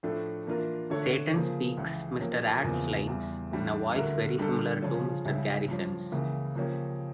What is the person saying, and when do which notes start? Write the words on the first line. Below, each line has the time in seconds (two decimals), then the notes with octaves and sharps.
Satan speaks Mr. Hat's lines in a voice very similar to Mr. Garrison's.
0.03 A2 F3 A3 D4 A4
0.47 E3 A#3 D4 F4 A#4
0.90 D3 A3 D4 A4 C#5
1.34 C#3 F3 A#3
1.77 C#2 C#3 E3
2.20 F3 A#3 C#4 G4
2.64 E2 C#3 F3 A#3
3.07 E2 E3 G3
3.51 A2 E3 G3 D4
3.95 D2 D3 A3 E4 A#4
4.38 D3 G3 D4 A4
4.82 C#3 F3 C#4 F4
5.25 C#2 C#3 G3 C#4 E4
5.68 G2 F3 C#4
6.12 C#2 C#3 E3 A#3
6.55 C#3 F3 A#3 C#4 G4